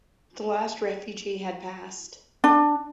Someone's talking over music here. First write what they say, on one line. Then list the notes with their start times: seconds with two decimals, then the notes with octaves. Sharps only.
The last refugee had passed.
2.44 D4